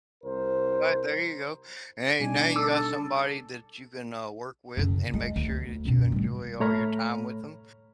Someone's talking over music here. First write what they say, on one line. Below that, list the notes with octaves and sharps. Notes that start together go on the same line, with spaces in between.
Alright, there you go. And hey, now you got somebody that you can, uh, work with, and make sure that you enjoy all your time with 'em,
C2 A#4 C5
B2 G3 D4 D#4 G#5
A4 D6 E6
F#2 C#3
G#3
D2
F#2 B2
A2 G3
A2 A3 C#5 A#5 B5 F6